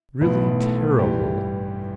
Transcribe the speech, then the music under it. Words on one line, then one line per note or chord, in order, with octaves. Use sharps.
Really terrible.
B1 A2 E3 B3 B4
A3 A4
A1 G2 E3 G3 G4